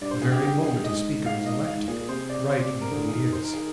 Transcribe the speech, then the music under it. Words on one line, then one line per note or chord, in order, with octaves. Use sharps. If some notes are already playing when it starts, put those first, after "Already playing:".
The very moment a speaker is elected, write me who he is.
G2 D5
C5
G#4
G4
G4
G#4
G2
G#2 D#5
F5
D#5
G#2 F5
A#2 G#4
C3 C5
D5
C5
D5
A#4
D3 G#4
G#4
D#3 A#4
D#3 C5
A#4
G#4